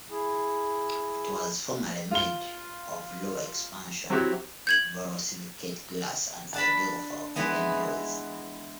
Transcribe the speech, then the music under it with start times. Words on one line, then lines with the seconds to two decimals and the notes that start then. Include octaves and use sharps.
It was formerly made of low expansion borosilicate glass and ideal for oven use.
0.10 E4 G#4
2.11 F4 G7
4.10 F#3 C4 E4 F#4 G4
4.67 G6 G#6 F#7
6.54 D4 A5 B5
7.36 E3 G#3 B3